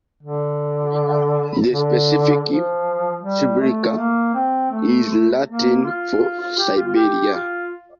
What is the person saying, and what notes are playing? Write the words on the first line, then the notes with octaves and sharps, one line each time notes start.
The specific "sibirica" is Latin for Siberia.
D3
D3
F3
G3
A3
A#3
C4
A3
A#3
F4
F4
F4
G4
F4
F4
G4
F4